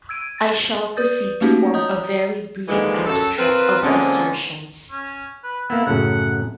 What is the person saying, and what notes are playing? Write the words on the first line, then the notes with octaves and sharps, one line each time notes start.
I shall proceed to form a very brief abstract of the assertions.
E6 G#6 D7 D#7
A6
B4 D5 D#6 G6 A6
A3 A#3 C#4 D#4 F#4 G4
C#5 D#5 A#5 D#6 G6
D#2 D3 E3 F3 G#3
F#2 A4
C4 F4 A#4 B4
D3 F3 G#3 A#3 C4 C#4
C#4
B4
A#3 B3 E4
F#2 A2 C#3 F#5